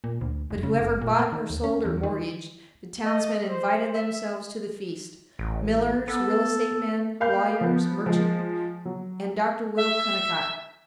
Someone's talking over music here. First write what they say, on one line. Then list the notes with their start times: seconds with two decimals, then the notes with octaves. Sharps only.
But whoever bought or sold or mortgaged, the townsmen invited themselves to the feast--millers, real-estate men, lawyers, merchants, and Dr. Will Kennicott.
0.04 A#2
0.21 D2
0.51 F1
0.63 C#3
0.80 F#1
1.01 A#2
1.19 A#3
1.32 D#3
1.50 D#2
1.64 C#4
1.85 E2
2.03 D#3
3.04 D#5
3.49 C5
3.93 E5
5.39 A1
6.08 B3 A4
7.20 A#3 F5 B5 G6
7.61 F3 B3
8.06 F3 G#3
8.85 F#3
9.77 E5